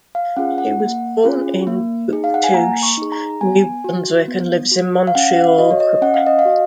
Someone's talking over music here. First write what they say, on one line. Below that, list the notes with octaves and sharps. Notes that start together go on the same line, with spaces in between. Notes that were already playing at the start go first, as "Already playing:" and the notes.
She was born in Bouctouche, New Brunswick and lives in Montreal, Quebec.
F5
C#4 F4 G#4 F#5
F#5
A#3
C#4 F4 G#4
A#3
D#4 G#4
F5
F#5
G#5
A#3 A#5
C#6
D#4 G#4
A#5
B3 G#5
F#4
B3
F#4
F5
C#4 F#5
F5
F#4 D#5
C#5
D#5
C#4 F#5
F5
D#5
F5
F#4